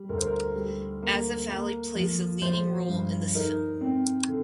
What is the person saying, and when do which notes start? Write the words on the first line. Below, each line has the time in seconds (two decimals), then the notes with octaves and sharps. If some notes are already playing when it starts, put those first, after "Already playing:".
Asif Ali plays the leading role in this film.
Already playing: G3
0.09 D2 A#4
0.18 C5
0.27 A#4
0.56 G3
1.03 A#3
1.48 A#3
1.95 F3
2.42 F3 C5
2.88 G2
3.35 D#4 A#4
3.81 C4
4.28 D3